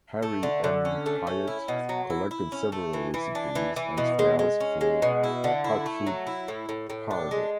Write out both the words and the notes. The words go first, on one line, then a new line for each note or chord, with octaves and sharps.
Harry M. Hyatt collected several recipes and spells for hot foot powder.
A3
D3
D3
C#4
A3
C#4
E4
B2
F#3
E4
E4
C#4
A3
E3
E3
D4
E3
E3
B2
G#3
G#3
C#4
G#3
B2
E4
D3
E4
A3
F#3
E4
A2
A2
A2
D4
G#3